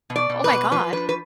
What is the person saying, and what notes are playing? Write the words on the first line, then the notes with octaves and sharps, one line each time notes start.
Oh, my god.
B2
D5
B2
B4
B2
F3 B4
D4 B4
B4